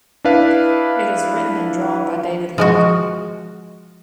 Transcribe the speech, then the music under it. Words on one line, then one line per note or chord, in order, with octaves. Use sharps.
It is written and drawn by David Lapham.
D4 E4 B4 F5
F3 G#3 F#4